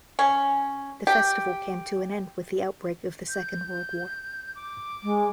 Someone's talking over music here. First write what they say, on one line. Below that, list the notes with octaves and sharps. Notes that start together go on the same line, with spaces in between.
The festival came to an end with the outbreak of the Second World War.
C#4
G4
G6
D6
G#3